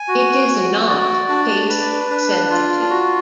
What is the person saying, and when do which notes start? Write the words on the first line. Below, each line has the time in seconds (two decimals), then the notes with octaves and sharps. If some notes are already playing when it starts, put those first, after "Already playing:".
It is not case-sensitive.
Already playing: G#5
0.08 F#4
0.48 F#4
0.89 D5
1.29 D4
1.69 B4
2.10 D4
2.50 F4
2.90 F#4